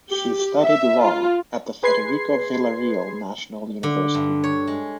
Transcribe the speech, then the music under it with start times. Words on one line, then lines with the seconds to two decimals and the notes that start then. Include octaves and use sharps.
She studied Law at the Federico Villarreal National University.
0.10 G4
0.62 E5
1.02 F4
1.83 G#4 B4 C6 G#6 C7
3.83 D3
4.15 G2
4.44 C#5
4.68 G#3